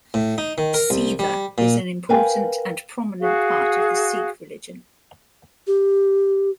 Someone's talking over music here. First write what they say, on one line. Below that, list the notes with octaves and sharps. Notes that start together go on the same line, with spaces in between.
Seva is an important and prominent part of the Sikh religion.
A2
D#4
D#3
A#4
C2
G3
A#2
A#4 B4 F5 G5 G#5
F#4 G#4 F5
G4